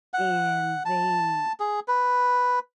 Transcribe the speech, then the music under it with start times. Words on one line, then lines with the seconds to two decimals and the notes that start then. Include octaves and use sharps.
and they
0.14 F#5
0.85 A5
1.60 G#4
1.88 B4